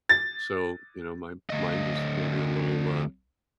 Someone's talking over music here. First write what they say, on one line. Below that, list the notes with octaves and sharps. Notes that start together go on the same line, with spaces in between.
so, you know, my mind was maybe a little, uh,
A6
D2 D#5